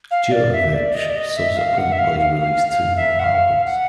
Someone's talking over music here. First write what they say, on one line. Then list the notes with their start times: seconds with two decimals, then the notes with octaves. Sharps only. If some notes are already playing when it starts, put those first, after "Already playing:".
Juravich subsequently released two more albums.
0.11 F5
0.31 D5
0.52 E5
0.74 D5
0.94 D#5
1.09 D5
1.15 D#5
1.36 E5
1.57 F5
1.78 F#5
1.92 E5
1.99 F5
2.20 F5
2.40 F5
2.68 F5
2.97 E5
3.19 F#5
3.24 F5
3.66 F#5